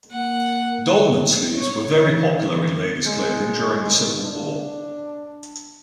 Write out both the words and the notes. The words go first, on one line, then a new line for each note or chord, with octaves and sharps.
Dolman sleeves were very popular in ladies clothing during the Civil War.
A#3 F#5
C#5
E3
E3
G#3
D4